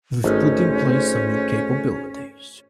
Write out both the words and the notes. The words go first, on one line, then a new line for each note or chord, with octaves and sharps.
We’ve put in place some new capabilities.
G#1 A3 C#4 D#4 C5 D#5